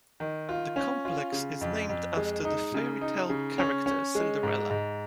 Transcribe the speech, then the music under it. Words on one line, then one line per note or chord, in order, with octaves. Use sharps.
The complex is named after the fairy tale character Cinderella.
D#3
F4
C#4
F4
C#3
F2
F2
G#3
D#4
C#3
D#4
C#3
C#4
C#4
G#3
G#2
G#2